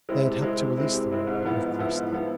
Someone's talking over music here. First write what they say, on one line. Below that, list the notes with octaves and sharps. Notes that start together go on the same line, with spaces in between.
They had helped to release the rope, and of course not.
G#3 C4 E4
C3
G#3 C4 E4
C3
G#3 C4 E4
C3
G#3 C4 E4
G#2
F3 B3 E4
G#2
F3 B3 E4
G#2
F3 B3 E4